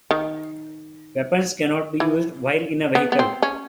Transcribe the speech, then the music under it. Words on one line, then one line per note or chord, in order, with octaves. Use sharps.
Weapons can not be used while in a vehicle.
D#3
E3
B3
B3
C4
C#4